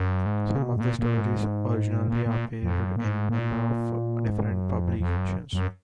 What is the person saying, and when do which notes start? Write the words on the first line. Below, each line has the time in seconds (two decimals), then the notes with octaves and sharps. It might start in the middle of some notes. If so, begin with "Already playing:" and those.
Some of the stories originally appeared in a number of different publications.
Already playing: F#2
0.26 G#2
0.55 C#3
0.62 B2
0.76 G#2
0.80 A#2
0.99 A#2
1.17 G#2
2.08 A#2
2.26 A#2
2.62 F2
2.80 F#2
2.96 A#2
3.05 G#2
3.29 A#2
4.26 G#2
4.50 F#2
4.75 F2
4.99 F2
5.17 F#2
5.53 F#2